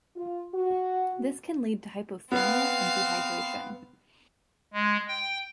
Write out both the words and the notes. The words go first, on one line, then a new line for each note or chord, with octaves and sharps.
This can lead to hypothermia and dehydration.
F4
F#4
B3 C4 F5
G#3
G5